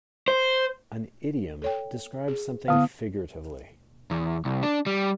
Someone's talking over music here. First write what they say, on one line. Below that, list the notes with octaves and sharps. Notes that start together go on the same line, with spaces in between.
An idiom describes something figuratively.
C5
A4 C#5 G5
G#4
D3 B3 E4 F5 D#6
E2
C2
D4
G3